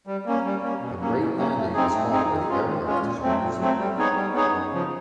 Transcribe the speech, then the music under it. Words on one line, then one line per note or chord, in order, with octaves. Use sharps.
A great landing is one where the aircraft is reusable.
G3
A#3 C#4
G3
A#3 C#4
B2
F#3 A#3 C#4
B2
F#3 A#3 C#4
A3
C4 D#4 G#4
A3
C4 D#4 G#4
D#3
G#3 C#4 F4
D#3
G#3 C#4 F4
A#2
F#3 A3 C4
A#2
F#3 A3 C4
G3
B3 D#4 G#4 C#5
G3
B3 D#4 G#4 C#5
F#2
C#3 F3